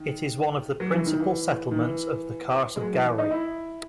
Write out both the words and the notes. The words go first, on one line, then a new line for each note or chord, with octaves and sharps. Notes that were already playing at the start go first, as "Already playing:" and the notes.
It is one of the principal settlements of the Carse of Gowrie.
Already playing: D#3
F#3
E3
D#3
E3
D#3
E3
G#3
F#3
E3
E3
D#4
E4